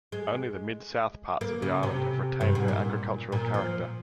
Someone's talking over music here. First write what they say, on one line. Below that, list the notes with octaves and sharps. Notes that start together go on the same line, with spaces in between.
Only the mid-south parts of the island have retained their agricultural character.
G#3
A#3
C#3
C3
G2
G#2
A#2
A#2
F3